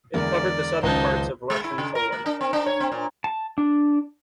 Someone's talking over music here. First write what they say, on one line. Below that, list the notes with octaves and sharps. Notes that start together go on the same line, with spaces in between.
It covered the southern parts of Russian Poland.
E2 D3 G#3 A#4 D5
C#2 F#2 D#3 D#4 C5 A5
G#3
E4
C#3
A#4
A#3
D4
C4
D4
C#5
C4
A#2
A5
D4